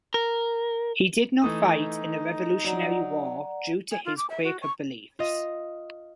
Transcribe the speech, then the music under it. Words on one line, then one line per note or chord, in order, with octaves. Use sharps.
He did not fight in the Revolutionary War due to his Quaker beliefs.
A#4
E3 A3 D#4 D#6
F#3 D5 F#5 A#5
G#5
F4
D6
E5
F#4
C#6
F4 D#5